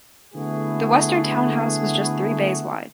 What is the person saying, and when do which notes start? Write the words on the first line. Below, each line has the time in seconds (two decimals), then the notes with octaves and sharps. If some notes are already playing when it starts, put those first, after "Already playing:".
The western town house was just three bays wide.
0.34 D3 A3 B3 E4 F#4 G#4